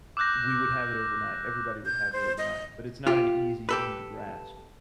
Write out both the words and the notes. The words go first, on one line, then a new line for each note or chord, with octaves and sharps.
we would have it overnight, everybody would have it overnight, but it's not an easy thing to grasp,
D6 E6 F#6 G6 A#6
G6
C5
D#5
F4 G4
G4 A4 B4